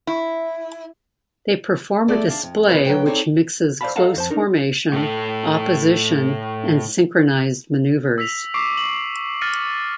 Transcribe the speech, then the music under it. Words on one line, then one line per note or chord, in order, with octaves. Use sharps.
They perform a display which mixes close formation, opposition and synchronised manoeuvres.
E4
A3 G#4 A4 D5
D4 F5
F2
C#3 B3 F4 B4 C5
F#3 B4 G5
C4 D#4 G#4 A4 C#5 D5
C5 D5 E5 F5 A5 B5
A4 D#5 F5 F#5 A5 A#5
F2 C5 A5
D4 D#4 A#4
A2 A4
E6 A#6 B6 F7
C#6 D6 C7 D7
F#7
F6 A6 A#6 C#7 D#7